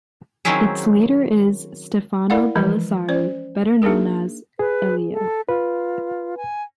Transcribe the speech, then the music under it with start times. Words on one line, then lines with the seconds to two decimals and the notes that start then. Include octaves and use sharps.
Its leader is Stefano Belisari, better known as Elio.
0.45 D#3 F#3 C4 C#4 E4 G#4
2.30 E4 A#4 D5 F5 F#5
2.56 E3 F3 G#3
3.09 C#4 C5 D5
3.82 A#3 D4 D#4 G#4 A#4
4.59 G#4 B4
5.13 A4
5.49 F4 B4
6.37 G#5